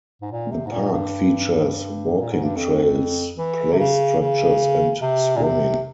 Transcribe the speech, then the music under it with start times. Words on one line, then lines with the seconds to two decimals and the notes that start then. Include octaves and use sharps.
The park features walking trails, play structures and swimming.
0.22 G#2
0.31 A#2
0.51 C3
0.66 G#2
0.72 A#2
0.92 G2
2.20 A#2
2.32 G#2
2.44 G2
2.56 F2
3.38 E3
3.73 C3
3.79 C#3
4.20 C#3
5.02 C3
5.36 A#2
5.43 C3